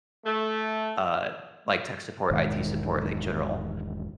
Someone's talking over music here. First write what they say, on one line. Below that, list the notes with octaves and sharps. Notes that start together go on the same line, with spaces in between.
uh, like, tech support, IT support, like, general,
A3
E1 G#2 D#3